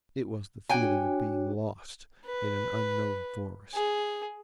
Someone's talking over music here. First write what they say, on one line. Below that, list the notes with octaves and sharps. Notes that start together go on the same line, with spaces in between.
It was the feeling of being lost in an unknown forest.
D4 F#4 C#5 G5 G#5
B4
G#4